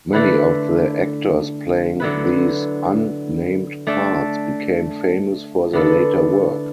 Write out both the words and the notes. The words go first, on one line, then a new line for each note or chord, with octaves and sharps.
Many of the actors playing these un-named parts became famous for their later work.
D3 A3 E4 B4
D3 F#3 B3 E4 B4
A3 D4 A4
D3 B3 E4 A4